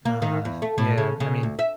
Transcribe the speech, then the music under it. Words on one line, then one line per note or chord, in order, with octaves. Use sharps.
Nah, yeah, b I mean,
A#3
D#3
E2
A3
A2
C#3
C#3
D2
E5